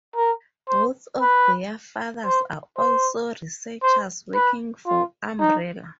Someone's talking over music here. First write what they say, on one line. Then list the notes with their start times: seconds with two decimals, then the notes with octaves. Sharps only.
Both of their fathers are also researchers working for Umbrella.
0.16 A#4
0.69 C5
1.21 B4
2.25 C5
2.78 C5
3.83 C5
4.35 B4
4.87 F4
5.39 D#4